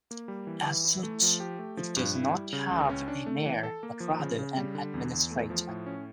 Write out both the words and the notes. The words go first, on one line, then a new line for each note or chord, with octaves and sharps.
As such, it does not have a mayor but rather an administrator.
A#3
G3
E3
E3
E4
A3
F3
G4
A3
F3
G2
E4
G3
C#3
C#2
C#4
D4
A3
E3
A4
A#3
F3
C#3
C#3
G3
D3
E2
E2
A3
F3
A2
C#4